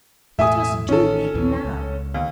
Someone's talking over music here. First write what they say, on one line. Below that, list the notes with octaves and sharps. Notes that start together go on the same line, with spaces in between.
'Let us Do It Now.
E1 A2 A3 E5 G#5 D#6
A1 D#3 C#4 A4
A#1 D#2 E3
C#2
D#2